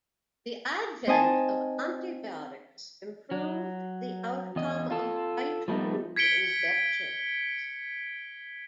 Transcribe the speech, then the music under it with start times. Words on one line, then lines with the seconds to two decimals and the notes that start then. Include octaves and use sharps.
The advent of antibiotics improved the outcome of bite wound infections.
1.07 C4 D#4 D#5 G#5 A5
3.31 F#3
4.56 E2 D#5
4.91 F4 A4
5.68 F3 G3 A3 B3 D#4
6.16 G#6 B6 C#7 D7 G7